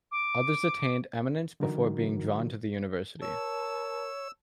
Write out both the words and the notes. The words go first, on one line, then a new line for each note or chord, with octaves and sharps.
Others attained eminence before being drawn to the university.
D6
D3 E3 F#3 D#4 F#4 A#4
A#4 C#5 A5 E6